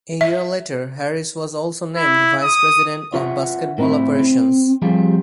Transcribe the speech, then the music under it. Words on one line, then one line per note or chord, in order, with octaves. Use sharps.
A year later Harris was also named Vice President of Basketball Operations.
E5
E4
D#6
F4 B4 C#5 E5 F#5
A2 C4 E4
C4
F3 G3 C4 F4 G4 G#4